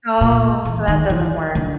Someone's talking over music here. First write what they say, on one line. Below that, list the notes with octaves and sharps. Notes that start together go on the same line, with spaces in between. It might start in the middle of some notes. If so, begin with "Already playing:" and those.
Oh, so that doesn't work,
A#2
E3
D#3
E3
D3